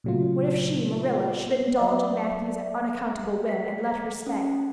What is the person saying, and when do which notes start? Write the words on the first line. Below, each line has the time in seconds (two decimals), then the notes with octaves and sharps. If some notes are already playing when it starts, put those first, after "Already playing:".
What if she, Marilla, should indulge Matthew's unaccountable whim and let her stay?
0.04 A#2 C#3 F#3 A3 F4
1.78 F#3 D5 E5
3.49 B6
4.27 C#4